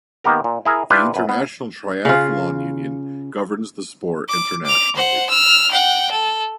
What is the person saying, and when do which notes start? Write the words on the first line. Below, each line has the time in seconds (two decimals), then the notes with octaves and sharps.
The International Triathlon Union governs the sport internationally.
0.24 D#3 A#3 B3 G4 A#4
0.44 A#2
0.65 E4 G#4 A#4
0.90 D4 E4 F4 G4 B4
1.14 F#2 B4
1.29 B3
2.05 C#3 F4
4.29 D6
4.65 D6 F7
4.95 C5 F#5
5.29 E6 F6
5.71 F#5 G5
6.11 A4